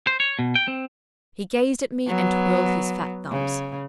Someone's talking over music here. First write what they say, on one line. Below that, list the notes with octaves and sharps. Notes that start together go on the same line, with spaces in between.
He gazed at me, and twirled his fat thumbs.
C5
C#5
B2
G5
C4
F#3 B3
C#3